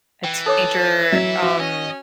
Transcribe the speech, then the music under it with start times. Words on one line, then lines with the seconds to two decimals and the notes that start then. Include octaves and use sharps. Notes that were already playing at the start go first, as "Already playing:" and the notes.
a teenager, um,
0.24 E3 G5
0.46 A4 C#5 A5 D6
1.12 F#3 E5
1.43 F#4
1.60 C#4 D#5